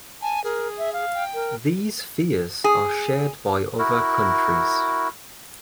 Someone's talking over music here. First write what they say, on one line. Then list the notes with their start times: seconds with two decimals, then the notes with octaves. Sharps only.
These fears are shared by other countries.
0.22 G#5 A5
0.44 G#4 A#4
0.78 E5
0.93 F5
1.14 G5
1.34 A#4
2.64 G#4
3.79 E4 F#4 A#4